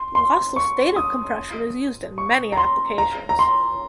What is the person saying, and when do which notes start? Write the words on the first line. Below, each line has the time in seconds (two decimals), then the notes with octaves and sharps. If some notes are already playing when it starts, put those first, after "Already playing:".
Lossless data compression is used in many applications.
Already playing: C6
0.15 C6
0.56 C#6
0.96 D#6
2.18 C#6
2.52 A#5
2.57 C6
2.98 A#5
3.29 A#5
3.39 C6